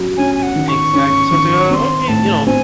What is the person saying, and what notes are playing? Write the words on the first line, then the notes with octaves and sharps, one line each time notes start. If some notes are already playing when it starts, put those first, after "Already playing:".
Exactly. So I was like, "Oh, okay," you know,
Already playing: F#3 C#4
C#4 G#5
G#5
F#5
D#3
C#6
C#4
D#3
C4 C6 C#6
A2 A5
C4 G#5